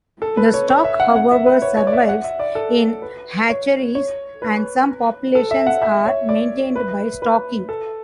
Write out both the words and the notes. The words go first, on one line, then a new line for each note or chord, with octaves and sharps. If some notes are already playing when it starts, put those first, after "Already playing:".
The stock however survives in hatcheries and some populations are maintained by stocking.
A4
B4
C#5
C#5
E5
F#5
F#5
E5
B4
C#5
C#5
D5
E5
F#5
E5
D5
A4
B4
C#5
C#5
B4
A4
E5
F#5
E5
C#5
D5
B4
B4
A4